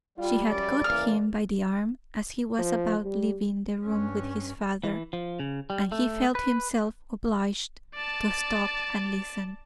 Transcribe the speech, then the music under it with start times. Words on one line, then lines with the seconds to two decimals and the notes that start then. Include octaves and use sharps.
She had caught him by the arm as he was about leaving the room with his father, and he felt himself obliged to stop and listen.
0.18 G3 F4
0.49 F#2 C#3 F3 D5
0.84 C#3 E3 A#3 F6
2.59 F3
3.05 G3
3.84 G2 C#4
4.84 E3
5.13 F3
5.39 C#3
5.70 G3
5.92 A3
6.35 B4
7.95 D5 A5